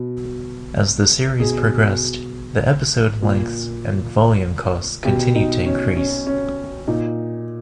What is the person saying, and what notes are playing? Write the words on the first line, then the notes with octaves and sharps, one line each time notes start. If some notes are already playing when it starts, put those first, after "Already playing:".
As the series progressed, the episode lengths and volume costs continued to increase.
Already playing: B2
B2 G#4
A#2
B2 G4
D#4
C#4
C#4
C#4
A#2 D#4